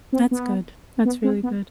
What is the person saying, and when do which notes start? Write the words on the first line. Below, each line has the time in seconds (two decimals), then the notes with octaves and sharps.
That's good. That's really good.
0.13 C4
0.31 B3
1.05 B3
1.24 C4
1.43 B3